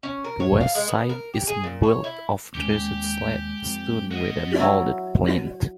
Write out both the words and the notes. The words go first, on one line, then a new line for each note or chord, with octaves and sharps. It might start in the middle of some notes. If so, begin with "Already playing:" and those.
The west side is built of dressed slate stone with a moulded plinth.
C#4
A#4
C#5
F5
G#3
B3
A#4
G4
G#4
A#2
C#5
E4
D#2 G#3 C#4 G4 D6
F2 F3 C4
F#4 D#5
F#3 E4 C#5